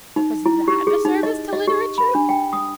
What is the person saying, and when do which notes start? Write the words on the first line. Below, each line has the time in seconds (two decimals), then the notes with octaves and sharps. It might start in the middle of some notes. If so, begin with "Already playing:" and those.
Was that a service to literature?
0.16 D#4
0.46 E4
0.68 G4
0.87 G#4
1.05 D#4
1.23 D#5
1.53 D#5
1.67 G4
1.98 B5
2.15 D4
2.29 G5
2.53 D#6